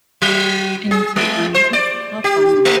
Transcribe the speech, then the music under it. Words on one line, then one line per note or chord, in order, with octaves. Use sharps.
And you couldn't find ‘em? How funny.
F#3
G#4
G#3
C5
D5
G4
A3